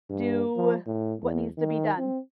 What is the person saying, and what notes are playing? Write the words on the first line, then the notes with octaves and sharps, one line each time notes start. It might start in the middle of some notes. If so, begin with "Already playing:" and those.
do what needs to be done.
G2
F3
A2
E2
D#3
C4